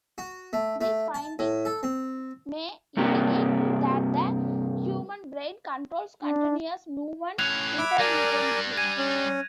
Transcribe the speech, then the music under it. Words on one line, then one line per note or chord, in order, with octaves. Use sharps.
These findings may indicate that the human brain controls continuous movements intermittently.
F#4
A3
A3
A5
A2
A4
C4
G2 C3 A#3 G4
D4
A2 C#4 F#6 G#6 F7
E5 B5 D6
G3 D4 A#4 D5 G#5 A#6
G#5 G#6 D#7
C#4